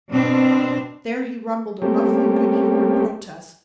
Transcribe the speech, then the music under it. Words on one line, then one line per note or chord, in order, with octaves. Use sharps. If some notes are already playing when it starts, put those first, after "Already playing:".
There he rumbled a roughly good-humoured protest.
B2 C4 D4
G3 A3 A#3 C4 C#4 G4